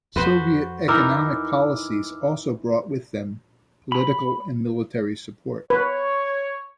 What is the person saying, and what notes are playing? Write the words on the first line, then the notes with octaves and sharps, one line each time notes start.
Soviet economic policies also brought with them, political and military support.
F2 F#4 B4 C5
E3 D#4 A#4 D6 E6 F6
B5
B4 C#5